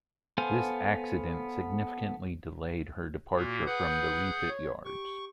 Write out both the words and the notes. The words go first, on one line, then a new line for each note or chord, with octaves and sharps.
This accident significantly delayed her departure from the refit yards.
B3 A4 C5 F5 G#5
A#2 A#3 F#4
G#4 B4 F#5 G6
C#5
G4 C#6